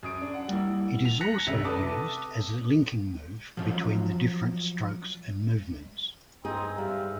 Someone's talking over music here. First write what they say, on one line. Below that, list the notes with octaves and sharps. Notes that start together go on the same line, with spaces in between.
It is also used as a linking move between the different strokes and movements.
F#2 D#6 D7
D4
F#5
G3 A#3 E4
F7
F#6 A#6 B6 C#7
F1 C2 C#3 E5
A4 B4 A5 D6 D#6
F3 F#3 C#4
G2 G#3 C4 D#4 G#4
G3 E5 F5